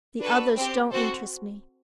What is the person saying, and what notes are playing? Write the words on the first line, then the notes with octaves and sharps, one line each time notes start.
"The others don't interest me."
D4 F#4 A4 B4
C4 G4
C4 F#4 A4 C5